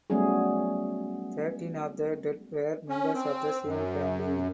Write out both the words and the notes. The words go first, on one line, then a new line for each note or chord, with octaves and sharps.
Thirteen of the dead were members of the same family.
F#3 G3 A3 B3 C#4 G#4
C#4
C4
F#2